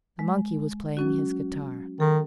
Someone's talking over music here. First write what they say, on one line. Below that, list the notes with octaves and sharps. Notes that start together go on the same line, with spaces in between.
The monkey was playing his guitar.
G#3
F#3 C#4 F#4
D#3 A4